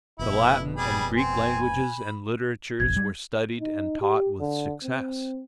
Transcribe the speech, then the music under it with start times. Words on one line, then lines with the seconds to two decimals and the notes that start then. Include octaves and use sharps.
The Latin and Greek languages and literatures were studied and taught with success.
0.19 F1 B2 E4
0.76 G3 G#4 B5
1.17 C4 G#5
1.61 B5
2.80 F1 A#1 E2 G#6
2.96 G3
3.60 D#4
4.01 G4
4.40 D3
4.83 C4